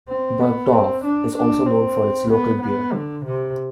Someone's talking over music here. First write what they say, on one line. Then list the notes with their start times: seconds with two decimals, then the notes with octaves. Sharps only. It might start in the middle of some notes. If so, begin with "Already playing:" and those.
Burgdorf is also known for its local beer.
0.08 C4
0.40 B3
0.72 C4
1.05 D4
1.36 D4
1.67 C4
2.30 B3
2.62 B3
2.94 D3
3.25 C3